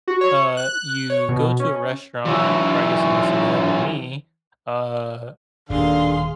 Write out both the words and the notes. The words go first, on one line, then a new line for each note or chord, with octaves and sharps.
uh, you go to a restaurant, or I guess in this example, me, uh
F#4
C#5
F#6
C#5
B2
C#4
E3 F#3
D#1 D#2 A2 D3 G#4 F5 C6